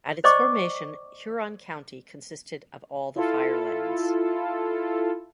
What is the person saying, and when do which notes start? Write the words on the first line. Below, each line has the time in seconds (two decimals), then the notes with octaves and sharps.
At its formation, Huron County consisted of all the Firelands.
0.24 C5 D5 D#5 G5 C#6 D6
3.16 E4 F4 A4